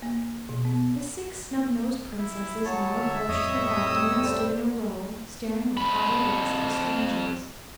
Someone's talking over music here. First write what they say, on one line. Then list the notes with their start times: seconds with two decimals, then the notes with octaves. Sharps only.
The Six Snubnosed Princesses now approached the fountain and stood in a row, staring with haughty looks at the strangers.
0.02 A#3
0.49 B2
0.65 B3
2.19 E4
2.65 F#3 C#5 A5
2.94 D3 E5
3.29 F2 A2 C3 G3 C#5 D#5 D#6
3.87 E6
4.23 A4 C5 D5
5.77 F2 B5